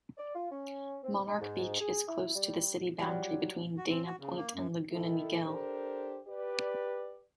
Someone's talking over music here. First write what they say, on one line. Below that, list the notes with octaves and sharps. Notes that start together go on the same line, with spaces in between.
Monarch Beach is close to the city-boundary between Dana Point and Laguna Niguel.
D5
F4
C#4
C4
D#4
G#2
G#4
E4
G3
F#3 G3 F4 D5
F#4
C4
F#4
C#3
A#3
F#2
D#3 E4 A4
D4 G4 A4 A#4 C5
G4 B4 D5